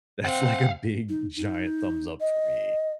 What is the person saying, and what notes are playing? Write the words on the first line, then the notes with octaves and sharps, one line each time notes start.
that's, like, a big giant thumbs up for me.
C4 F5 F#5
D#4
D#4
D#5